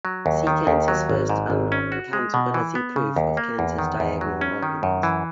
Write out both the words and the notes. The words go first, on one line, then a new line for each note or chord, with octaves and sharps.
See Cantor's first uncountability proof and Cantor's diagonal argument.
F#3
D#2
D#3
D#2
F#3
G#1
G#2
G#1
C#4
F#4
G#3
B2
E3
B3
C#3
D#2
A#3
E2
D#3
E2
F#3
C#4
D#3
F#2
E3